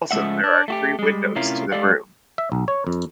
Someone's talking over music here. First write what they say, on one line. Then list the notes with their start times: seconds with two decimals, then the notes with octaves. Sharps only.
Also there are three windows to the room.
0.11 C#3 F3 G#3 A3 E5 F#5
0.44 D4
0.68 A3 F#4 G4
0.99 G3 G#3
1.35 A2 C3 C#4 E4 F4 A#4
1.72 G#3 A3 G4 A4 D5 F5
2.38 E5
2.52 B1
2.68 C#5
2.87 F2